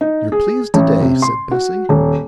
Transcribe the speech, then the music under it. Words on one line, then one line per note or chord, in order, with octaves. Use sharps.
'You're pleased to-day,' said Bessie.
D#4
G#4
A1
C3
C6
F#4
D#1